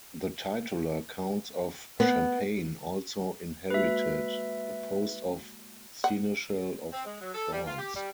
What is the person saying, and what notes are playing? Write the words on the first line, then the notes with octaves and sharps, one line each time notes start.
The titular counts of Champagne also inherited the post of seneschal of France.
B3
G#3 A#3 F#4 B4 E5
F#5
C4
G#3
F#3
A4
G3
F4
G4
G3